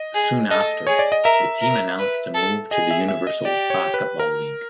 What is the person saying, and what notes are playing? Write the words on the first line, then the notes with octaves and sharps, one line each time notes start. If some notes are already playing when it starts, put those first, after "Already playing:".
Soon after, the team announced a move to the Universal Basketball League.
Already playing: D#5
G#4
A4 D#5
G#4 C#5
D5
D#5
A#4 E5
A#4
B4
A4
G#4 D#5
E5
E5
D#5
G4 D5
C#5
B4
A#4